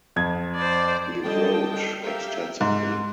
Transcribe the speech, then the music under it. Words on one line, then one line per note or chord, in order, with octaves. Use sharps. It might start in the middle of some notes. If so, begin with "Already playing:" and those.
He wrote extensively.
F2 G#6
C5 D5
D3 G3 A4 D#5 G5 A5
G5
G4 A#4 E5 F5 G5
G#2